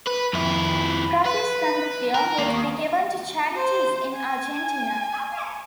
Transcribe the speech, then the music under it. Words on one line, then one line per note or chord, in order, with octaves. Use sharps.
Profits from the film would be given to charities in Argentina.
B4
F2 E4
B4
A#4
D#2 A#3
C5
G#5